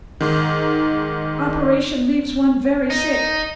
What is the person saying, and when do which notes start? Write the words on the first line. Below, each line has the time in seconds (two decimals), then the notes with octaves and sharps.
Operation leaves one very sick.
0.21 G#2 D#3
2.90 D#4